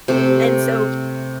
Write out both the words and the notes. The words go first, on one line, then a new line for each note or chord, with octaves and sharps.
and so
C3 A3